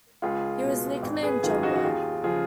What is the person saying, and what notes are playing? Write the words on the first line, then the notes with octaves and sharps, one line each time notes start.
He was nicknamed "Jumbo".
C#2 F4 G#4
B2
G#1
G#4 B4
F#2 D#3 F4 G#4
D#4 F#4
F#4
D#2 F4 G#4
C#3 F3 F4 G#4